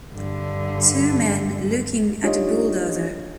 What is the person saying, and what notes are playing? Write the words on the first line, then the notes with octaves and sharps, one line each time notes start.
Two men looking at a bulldozer.
G2 D3
D4 D#4 F4 G4 C#5 D#5